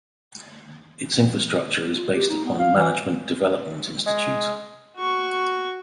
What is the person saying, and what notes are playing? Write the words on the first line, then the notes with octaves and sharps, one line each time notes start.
Its infrastructure is based on Management Development Institute.
F4
G4
D#4
B3
F5
E3
G#3
F#4 C#6